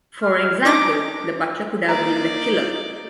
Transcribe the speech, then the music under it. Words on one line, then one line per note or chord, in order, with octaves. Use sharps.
For example, The butler could have been the killer.
F6
D4 D#4 D6 A#6
A#3 D#4 D5 A#5